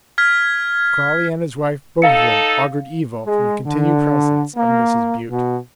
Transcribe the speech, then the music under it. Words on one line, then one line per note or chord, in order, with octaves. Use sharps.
Crawley and his wife both of them augured evil from the continued presence of Mrs. Bute.
F6 G#6 B6
D#4 A4 F5 C#7
G#3
D3
A#3
B2